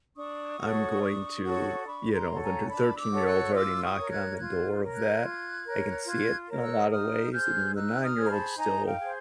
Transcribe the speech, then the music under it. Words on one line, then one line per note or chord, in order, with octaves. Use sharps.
I'm going to, you know then tur thirteen-year-old's already knocking on the door of that. I can see it, in a lotta ways, and then the nine-year-old's still
D4 C#6 D#6
F#4 A4 C#5
D4
F#4 A4 C#5
D4 B5 C#6
A#5 C6
F#4 A4 C#5
G#5 A#5
D4 A5 B5
D6 E6
F#4 A4 C#5
E6 F#6
F4 D6 E6
C#6 D#6
A#4 C#5
F#6 G#6
F4 F#6 G#6
A#4 C#5
F#6 G#6
F4
A#4 C#5
F4 F#6 G#6
A#4 C#5
E6 F#6
D#4 D#6 F6
G#4 C5 F6 G6
D#4 E6 F#6
D#6 F6
G#4 C5
A#5
A5 B5
D#4 G#5 A#5
F5 G5
G#4 C5